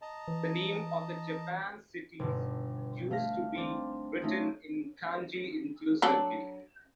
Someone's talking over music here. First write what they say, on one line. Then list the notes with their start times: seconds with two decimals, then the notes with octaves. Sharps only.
The names of Japan's cities used to be written in Kanji exclusively.
0.02 D#5 A5 A#5
0.28 E3
2.19 G1 B2 D3
3.11 A3 F5 A#6
3.55 C4 D4
4.22 A3 C#4 D#4 F4 G#4
6.02 F#3 D4 A4